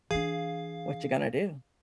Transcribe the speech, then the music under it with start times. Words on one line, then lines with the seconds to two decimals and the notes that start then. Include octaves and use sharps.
What you gonna do?
0.11 E3 D4 G#4 F5